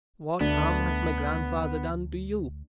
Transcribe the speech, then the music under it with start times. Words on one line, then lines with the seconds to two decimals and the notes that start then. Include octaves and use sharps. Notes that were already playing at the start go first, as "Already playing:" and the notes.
What harm has my grandfather done to you?
0.41 D2 A3 B3 D4